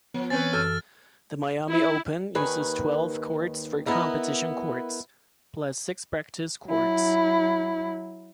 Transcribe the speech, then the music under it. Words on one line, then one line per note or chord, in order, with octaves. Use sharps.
The Miami Open uses twelve courts for competition courts, plus six practice courts.
F3 B3
E3 C4 C#4 B4 G#5 A6
F#2 E3 A4 E6 F6 A6
E4
D#2 D#3 B4 G#5
B3 E4 A#4 D#5
F#3 E4